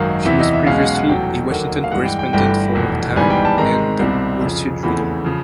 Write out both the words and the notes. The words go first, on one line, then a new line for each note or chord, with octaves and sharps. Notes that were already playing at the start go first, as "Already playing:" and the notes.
She was previously a Washington correspondent for "Time" and "The Wall Street Journal".
Already playing: G#1 F#2 D#3 F#3 F5
E2 C3 E3 E5
D#5
E5
B1 B2 G#3 C#4 F5
F#5
F#5
F1 E2 B2 F#3 G5
D#2 D3 F#3 A#3
F5
G2 E3 G#3 F#5
G5
G5
G1 G2 E3 A3 G5
F1 E2 B2
G#1 G#2 E3 G3 B3 G#5
G5
A5
G#2 D#3 G#3 C4 A#5
C2 B2 G3 C4
F2 C#3 F3
E2 C#3 E3 A3 C4 B5
C#3 F3